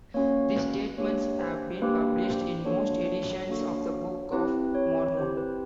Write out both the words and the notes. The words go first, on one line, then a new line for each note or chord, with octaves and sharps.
These statements have been published in most editions of the Book of Mormon.
A#3 C#4 F#4 C#5
B4
A#3 D4 G4 C#5
C5
A#3 D4 G4 B4
C5
A#3 D4 F#4 A4 C#5
A#3 D4 F#4 A4
C4 E4 G4 B4
C#5
C4 E4 G4 C5
B4